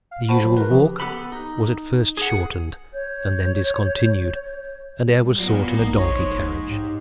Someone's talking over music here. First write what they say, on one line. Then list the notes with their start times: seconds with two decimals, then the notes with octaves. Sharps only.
The usual walk was at first shortened, and then discontinued; and air was sought in a donkey-carriage.
0.11 F5
0.29 F#4 C5 A5 B5
0.44 F#3
0.57 A#4 B4
0.71 C#3 F3 G4
1.00 B3 G4 A4 B4 B5
1.32 D#4
2.17 G#4 F#5
2.93 C#5 G6
5.09 G3
5.39 F#3 B3 F4 D5
5.75 A#1 A#3 D#4
5.99 B1 D#4 C5 C#5
6.23 F#1
6.68 G#2 G4